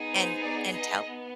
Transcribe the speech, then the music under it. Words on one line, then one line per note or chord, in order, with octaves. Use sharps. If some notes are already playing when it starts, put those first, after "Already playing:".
and and tell
Already playing: B3 D#4 G#4
C5
D5
D#5
B3